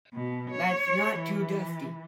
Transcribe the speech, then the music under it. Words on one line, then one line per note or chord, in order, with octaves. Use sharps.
That's not too dusty.
B2
C#5
E3